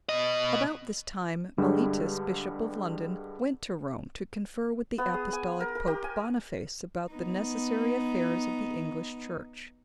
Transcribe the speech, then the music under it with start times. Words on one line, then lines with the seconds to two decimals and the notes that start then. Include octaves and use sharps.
About this time, Mellitus, bishop of London, went to Rome, to confer with the Apostolic Pope Boniface about the necessary affairs of the English Church.
0.09 B2 D#5
1.58 G2 D3 G3 G#3
4.98 B3
5.14 G#4
5.33 G#5
5.60 A#4
5.75 A#4
5.87 G4
6.04 G#5
7.12 B3 D#4